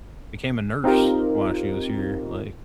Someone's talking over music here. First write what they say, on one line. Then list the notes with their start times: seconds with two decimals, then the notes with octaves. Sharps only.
became a nurse while she was here, like
0.84 C4 D#4 F4 G4 A#4